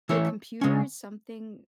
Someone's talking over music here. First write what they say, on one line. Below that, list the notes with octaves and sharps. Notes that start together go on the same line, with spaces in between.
the computer is something
E3 A3 E4 A4 C#5
C#3 G#3 C#4